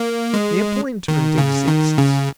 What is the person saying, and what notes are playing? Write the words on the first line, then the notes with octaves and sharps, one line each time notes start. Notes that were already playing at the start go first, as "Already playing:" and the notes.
The appointment exists.
Already playing: A#3
G#3
D#3
C#3
D#3
C#3